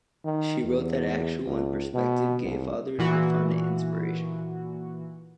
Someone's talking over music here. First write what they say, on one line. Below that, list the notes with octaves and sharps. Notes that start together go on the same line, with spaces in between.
She wrote that actual and prospective gay fathers would find it inspirational.
D#3
E2
C#2
B2
C2
A#2 E3 F#4